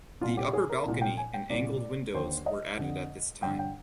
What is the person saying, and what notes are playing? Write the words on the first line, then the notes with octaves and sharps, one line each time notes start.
The upper balcony and angled windows were added at this time.
C2 A#2 F4
G4
G#4
A#4
C2 A#2
G5
G#5
G5
C2 A#2 D5
D#2 D3 C5
D#5
F2 D3
G2 D3 G5
G5